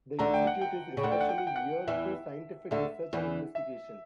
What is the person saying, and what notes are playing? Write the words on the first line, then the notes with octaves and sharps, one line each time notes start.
The Institute is especially geared to scientific research and investigation.
D2 D3 A#5
G5
F#5
G5
C#3
D2 D3 F#5
G5
F#5
G5
F#5
G5
F#5
E2 E3 E5
D2 D3 E5
E2 E3
E5